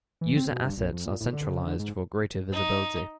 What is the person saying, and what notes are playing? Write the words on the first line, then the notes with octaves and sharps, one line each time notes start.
User assets are centralized for greater visibility.
E3
C4
B2
G2
A#1
F2
A#2
A2
D3
C#3
D3
G#2
D#4